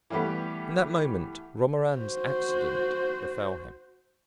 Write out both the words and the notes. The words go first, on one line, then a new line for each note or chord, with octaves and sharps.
In that moment Romarin's accident befell him.
E3 G3 A3 B3 G4
F#4 C5